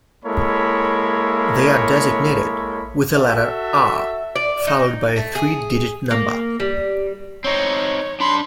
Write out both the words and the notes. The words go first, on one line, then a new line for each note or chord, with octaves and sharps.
They are designated with the letter "R" followed by a three-digit number.
G#3 A#3 E4 A4 C#5 B5
F#4 A4 E5
D5
D#4
A3
G#4
A#3
G3
C4 D#4 C#5
D4 B5 C6